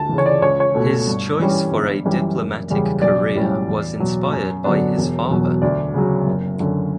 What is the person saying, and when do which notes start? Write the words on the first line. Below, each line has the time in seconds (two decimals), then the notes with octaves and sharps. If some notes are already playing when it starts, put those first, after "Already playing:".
His choice for a diplomatic career was inspired by his father.
Already playing: D2 A5
0.09 C#3 E3
0.18 C#5
0.26 D5
0.42 C#2 C#5
0.60 C#5
0.75 B2 A3
1.07 G2
1.39 E3 G3 C#4
1.72 G1
2.05 F#2 E3 G3
2.38 F#1
2.70 E2 C#3 G3
3.02 B1 D5
3.35 A2 G3 C#4
3.67 E2
4.00 B2 F#3
4.32 F#2
4.64 D3 F#3 B3 D4
4.97 E1
5.29 E2 B2 F#3
5.62 D2 D5
5.94 C#3 F#3
6.26 F#1
6.60 F#2 D3